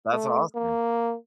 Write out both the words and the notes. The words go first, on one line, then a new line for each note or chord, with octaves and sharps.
That's awesome.
A3
A#3